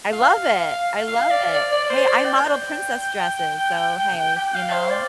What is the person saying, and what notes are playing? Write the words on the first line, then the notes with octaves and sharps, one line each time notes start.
I love it, I love it. Hey, I model princess dresses, so hey. You know?
F5
F5
D5
D5
D5
D5
C5
D5
G5
G5
F5
C5
D5